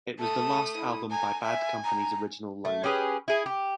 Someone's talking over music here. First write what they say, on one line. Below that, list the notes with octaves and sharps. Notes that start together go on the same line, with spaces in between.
It was the last album by Bad Company's original line-up.
A3 A5 D#6
E4
G#5 A#5
E5 G#5
A#5
A3
C#4 G4 G#4 B4
E4 G#4
G4